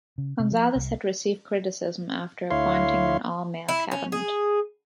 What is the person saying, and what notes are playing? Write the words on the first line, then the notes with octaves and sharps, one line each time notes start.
Gonzales had received criticism after appointing and all male Cabinet.
C#3
C3
F3
C2
D2 E4 C#5 F5 C6
E4
C#4
G#4